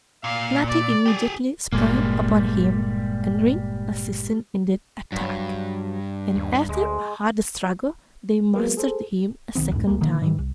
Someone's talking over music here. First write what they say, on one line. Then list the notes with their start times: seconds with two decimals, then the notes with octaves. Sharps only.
Snati immediately sprang upon him, and Ring assisted in the attack, and after a hard struggle they mastered him a second time.
0.24 A#2 F5
0.68 D5
1.06 G4 G#4
1.72 G1 A#2 G3 G#3 A#3
5.12 G2 F#3
6.36 D#2
6.69 D2 G#3
8.54 F#3 G#3 A#3 B3
8.77 G#4 A4 C5
9.55 B1 D#3 B3 C4
9.71 C#2 F#2 A2
9.87 C#2 G#3 A#3
10.01 B2 D3 D#3 A#3
10.22 G#2 D#3 E3
10.38 C2